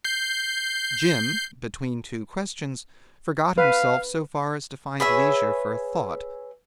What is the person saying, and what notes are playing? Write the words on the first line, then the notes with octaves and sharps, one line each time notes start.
Jim between two questions forgot himself so far as to find leisure for a thought.
G6 C7
B4 F5
G#4 B4 C#5 E5